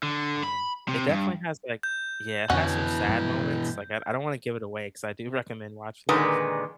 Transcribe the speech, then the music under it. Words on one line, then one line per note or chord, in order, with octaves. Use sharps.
um. It definitely has, like Yeah, it has some sad moments, like, I I don't wanna give it away 'cause I do recommend watching it
D3
B5
C3
G2
G6
F2 B2 D3 E3 C#4 F#4
G2 F3 G#3
A#2 D3 D#3 G#3 B4